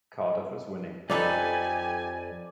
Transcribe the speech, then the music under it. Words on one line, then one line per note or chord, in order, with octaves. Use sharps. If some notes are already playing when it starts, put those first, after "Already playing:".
Cardiff is winning.
C2 F2 D#4 G4 A4 B4 D5 G#5